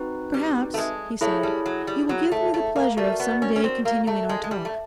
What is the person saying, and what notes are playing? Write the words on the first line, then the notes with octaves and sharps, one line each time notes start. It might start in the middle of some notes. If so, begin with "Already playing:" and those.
'Perhaps,' he said, 'you will give me the pleasure of some day continuing our talk.
Already playing: C4 D#4 F#4 B4
G3
A3
G#3
A3 E4 G#4 C#5
G3
F#3
G3
F#3
A3
A3
A#3
A3 F#4 A#4 D5
B3
C#4
C#4
C4
A#3
A3
G#3
G#3
G3
A3